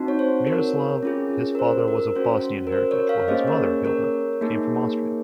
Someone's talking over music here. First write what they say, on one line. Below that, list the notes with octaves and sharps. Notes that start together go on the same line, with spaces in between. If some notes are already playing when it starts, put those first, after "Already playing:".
Miroslav, his father was of Bosnian heritage while his mother, Hilda, came from Austria.
Already playing: C4 D#4 F#4
C#5
C5
A#4 C#5
C#4 F4 G#4
A#4
C5
A#4
C#4 F#4 C5
A#4
C5
A#4 C#5
C#5 F5
A#3 C#4 G#4 C5 D#5
A#4 C#5
A#4 C#5
A#3 D#4 G#4